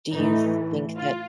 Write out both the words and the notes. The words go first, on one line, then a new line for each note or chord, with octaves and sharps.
do you think that
A2 E3 A3 D#4
F4